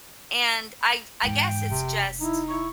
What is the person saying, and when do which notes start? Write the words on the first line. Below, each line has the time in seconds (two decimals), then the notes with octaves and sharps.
and I I guess it's just
1.23 E2 G#2 G5
1.70 F1 C3
2.21 D#4 E4
2.49 E4 C#6